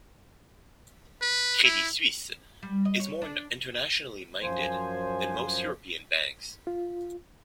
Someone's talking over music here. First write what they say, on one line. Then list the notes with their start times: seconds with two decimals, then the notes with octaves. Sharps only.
Credit Suisse is more internationally minded than most European banks.
1.21 B4
1.64 E4
2.63 G3
2.85 D#5
3.00 C#5
3.22 D4
4.42 F#2 F3 C5 G#5
6.67 F4